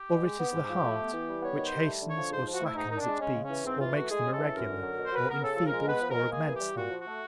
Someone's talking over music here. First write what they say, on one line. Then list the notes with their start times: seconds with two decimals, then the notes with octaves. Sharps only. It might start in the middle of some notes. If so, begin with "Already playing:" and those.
Or it is the heart, which hastens or slackens its beats, or makes them irregular, or enfeebles, or augments them.
Already playing: G4
0.09 B2
0.23 G#3
0.38 B3
0.53 G#2
0.68 F3
0.83 A3
0.97 B3
1.13 E3
1.27 G3
1.42 B3 C#5
1.57 D#3
1.64 C5
1.71 G3
1.86 A3
2.01 D3
2.09 C#5
2.16 F3
2.31 G#2 C5
2.46 F3
2.53 F#4
2.60 A3 E4
2.75 G#2 D#4
2.89 D#3 D#4
2.98 D4
3.06 G#3
3.20 G#3 C#4
3.34 C#3
3.42 C#4
3.50 E3
3.64 G#2 C4
3.79 E3 F4
3.93 A3 F#4
4.09 G#3 G#4
4.24 C#3
4.31 A4
4.38 E3
4.53 F#2 A#4
4.69 D3
4.83 F#3
4.98 B2
5.03 C5
5.12 F#3 B4
5.27 B3 A#4
5.42 C#3 A4
5.56 F3
5.64 A#4
5.71 G#3
5.87 B3 B4
6.01 F3
6.08 A#4
6.16 G#3
6.31 A#3 G#4
6.46 E3
6.53 G4
6.60 G3
6.76 A#2 F#4
6.90 F3
6.98 F#4
7.06 A3